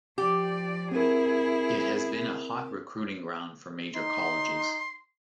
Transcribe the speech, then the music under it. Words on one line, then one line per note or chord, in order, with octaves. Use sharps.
It has been a hot recruiting ground for major colleges.
F3 G4 D5
C4 E4 G#4 A#4
D#4 C6